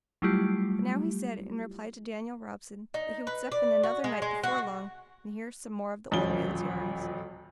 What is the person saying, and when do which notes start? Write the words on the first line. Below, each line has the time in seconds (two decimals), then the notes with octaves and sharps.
But now he said, in reply to Daniel Robson, that he would step in another night before long and hear some more of the old man's yarns.
0.22 F#3 G3 A3 E4 F4 G4
2.94 D#4
3.27 B4
3.52 D5
3.83 F#4
4.04 G#3
4.22 G#3
4.44 F#4
6.11 D#1 A1 D2 F3 A6 G7